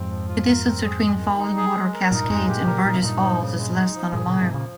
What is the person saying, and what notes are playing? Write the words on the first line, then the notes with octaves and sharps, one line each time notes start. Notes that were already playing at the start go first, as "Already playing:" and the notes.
The distance between Falling Water Cascades and Burgess Falls is less than a mile.
Already playing: F2 G#2 C4
F3
F4
A#4
C4
G#4
G#3
D#3
D#4
G#4
G#3
A#4
G2 A#2 D#4
A#2
F2 G#2 G#3
G2 A#2 G4
A#2 C#3 A#4
A#2 D#4
C3
G2 A#2 D#4
F3
C#3
G#3
D#4
F3
G2 A#2 G#4
A#2 C#3 A#3
G#2 C3
A#2 C#3 F3